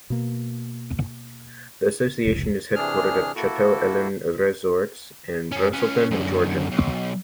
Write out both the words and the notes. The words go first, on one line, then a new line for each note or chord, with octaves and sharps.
The Association is headquartered at Chateau Elan Resort in Braselton, Georgia.
B2 A#3
F1 C#2
C3 E3 D4 G#4 F6
A#3 E4 F#4 A4
F#2 C#4
C#4 B4
F#2 D3
B1